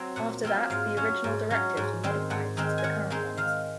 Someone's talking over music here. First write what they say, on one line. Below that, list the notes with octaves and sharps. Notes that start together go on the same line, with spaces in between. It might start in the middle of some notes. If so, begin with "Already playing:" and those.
After that the original directives were modified to the current ones.
Already playing: F#3 C4
A#2 F#5
F#3 C4 F4
G#2 F5
F#3 C#4
G#2
F#3 C#4
G#2
D#3 G#3 C4 D#4
G#2 F#5
D#3 G#3 C4 D#4
G#5
D#3 F#5
G#3 C4 D#4
D#3 F5